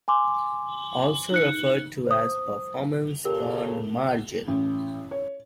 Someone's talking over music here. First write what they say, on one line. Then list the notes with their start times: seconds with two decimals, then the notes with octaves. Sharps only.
Also referred to as performance bond margin.
0.08 G#5 C6 D6
1.32 D#4 F#6 C#7
2.07 C5 D#6
3.25 A#2 C#3 G4 A4 A#4
4.48 A1
5.11 C#5